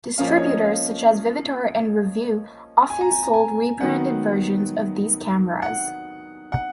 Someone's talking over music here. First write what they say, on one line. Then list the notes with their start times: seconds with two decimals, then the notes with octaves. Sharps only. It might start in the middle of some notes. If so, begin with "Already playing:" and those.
Distributors such as Vivitar and Revue often sold rebranded versions of these cameras.
0.18 F3 A#3 C#4 F5
0.27 D#5
0.37 C#5
0.46 D#5
0.64 F5
2.90 G#5
3.01 A#5
3.12 G#5
3.23 A#5
3.33 G#5
3.80 D#3 F#3 B3 F#5
5.62 F#5
6.52 F#5